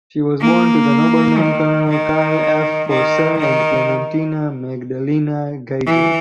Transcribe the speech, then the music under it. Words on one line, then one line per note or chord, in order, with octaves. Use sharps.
She was born to the nobleman colonel Carl af Forsell and Clementina Magdalena Geijer.
A#3
D#3
D#3
D#3
D#3
E3